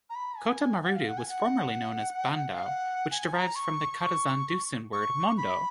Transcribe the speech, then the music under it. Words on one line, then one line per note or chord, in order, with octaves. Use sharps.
Kota Marudu was formerly known as 'Bandau', which derives from the Kadazan-Dusun word 'Mondou'.
A#5
B5
G#5
F#5
F5
F#5
G#5
F#5
F5
F#5
G#5
A#5
C#6
C#6
C#6
B5